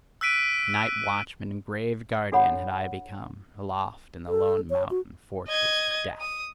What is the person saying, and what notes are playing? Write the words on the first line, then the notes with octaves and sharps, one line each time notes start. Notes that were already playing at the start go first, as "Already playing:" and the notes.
Night-watchman and grave-guardian had I become, aloft, in the lone mountain-fortress of Death.
E6 F#6 B6 D7 D#7
D4 F#4 A4 C#5 F#5 B5
A4
C#5
F#4
D#5 G#6
D#6